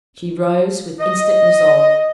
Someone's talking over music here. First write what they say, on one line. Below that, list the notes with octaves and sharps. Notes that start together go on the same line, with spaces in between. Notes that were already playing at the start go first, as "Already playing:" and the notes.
She rose with instant resolve.
D#5